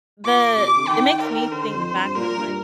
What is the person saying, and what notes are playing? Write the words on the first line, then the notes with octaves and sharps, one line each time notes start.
the it makes me think back on, like,
A#2 D6
C3 D6
C3
D3
D#3 G5
A#4
D3 C5
F2
G2
A#2 A#4
G2